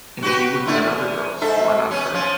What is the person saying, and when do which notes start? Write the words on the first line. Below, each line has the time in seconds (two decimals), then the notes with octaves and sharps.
And he would let other girls, why not her?
0.22 F#4 G4 B4
0.66 D3 A3 E4
0.84 E2
1.41 G#2 A4 E5
1.91 B3 C#4
2.13 F3 C#4